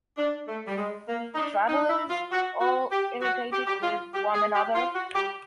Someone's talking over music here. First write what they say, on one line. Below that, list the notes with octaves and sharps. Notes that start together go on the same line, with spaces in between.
The travelers, all irritated with one another...
D4
A3
G3
G#3
A#3
D#4
D4
D#4
E4
F4
F#4
F#4
G4
F#4
G4
G4
F4
G4
G#4
G4
F4
F#4
G4